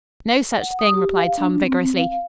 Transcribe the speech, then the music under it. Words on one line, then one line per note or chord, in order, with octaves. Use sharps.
"No such thing," replied Tom vigorously.
F#5
D#6
G4
F5
D4
C4
F5